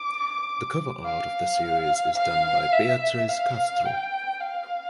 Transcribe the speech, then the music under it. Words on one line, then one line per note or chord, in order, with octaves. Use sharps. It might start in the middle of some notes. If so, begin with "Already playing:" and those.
The cover art of the series is done by Beatriz Castro.
Already playing: D6
F5
F5
E5
F5
G5
F5